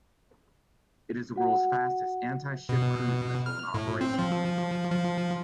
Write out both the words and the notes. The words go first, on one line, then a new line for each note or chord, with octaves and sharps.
It is the world's fastest anti-ship cruise missile in operation.
F#4 F#5
B2
F6
A2
C4
F3
F3